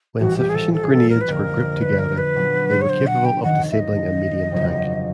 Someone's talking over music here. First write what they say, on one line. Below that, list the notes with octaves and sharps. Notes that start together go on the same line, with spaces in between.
When sufficient grenades were grouped together, they were capable of disabling a medium tank.
A#1 A2 E3 G3 F#4
G4
G#4
A4
A4
G#4
A4
A#4
B4
F2 D3 G3 A#3 D4 A#4
B4
A#4
B4
A#2 F#3 B3 D4
C#5
C5
F#5
G5
F1 D#2 D#3 F#5
E5
D#5
G1 F2 C#3 F#3 A#3